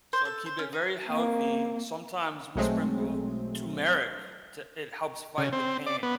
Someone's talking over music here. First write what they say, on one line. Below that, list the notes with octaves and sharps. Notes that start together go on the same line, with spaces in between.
So keep it very healthy. Sometimes we sprinkle turmeric to it helps fight the pain.
C5
A4
C5
C#4
D#4
A#3 C4
B1 F#3 G#3 A3 C4
C#3
C4
D5
B3